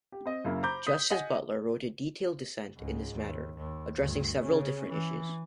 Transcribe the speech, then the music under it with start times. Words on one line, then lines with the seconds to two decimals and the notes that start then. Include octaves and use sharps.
Justice Butler wrote a detailed dissent in this matter, addressing several different issues.
0.12 G4
0.26 C4 D#5
0.45 F#2 C#3 A#3 E4
0.63 C5 A#5 B5 D6 G6
0.87 D#6 B6
1.10 D#5 F#5 G#5
2.77 C#2 G#2
3.14 D#2
3.57 D#2
3.96 D2 G2
4.40 C#3 C#4
4.90 E3